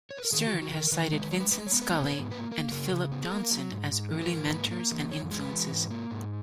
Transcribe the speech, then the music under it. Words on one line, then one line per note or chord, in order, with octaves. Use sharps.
Stern has cited Vincent Scully and Philip Johnson as early mentors and influences.
C#5
B4
A#4
D#3 G#4
F#4
D#3
F#4
D#3 A#4
A#4
D#3 B4
G#3
B4
G#3 C#5
B4
G#3 B4
C#5
B3
B4
B3
C#5
B4
G#2 C#5
A#3 B4
A#3 A#4
C#3 A#4
C#3
B3
G#4
A#3 A#4
F#3
G#2
G#2
E3
B4
G#2 A#4
B4
A#3
A#3
E3
F#2 C#5
G#3
B4
E3
G#2
A#3
G#2